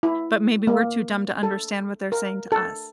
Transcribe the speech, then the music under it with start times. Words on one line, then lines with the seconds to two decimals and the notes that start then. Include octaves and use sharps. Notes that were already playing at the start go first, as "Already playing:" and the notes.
but maybe we're too dumb to understand what they're saying to us.
0.03 E4
0.67 A#3
1.43 A4
2.12 A#4
2.52 A4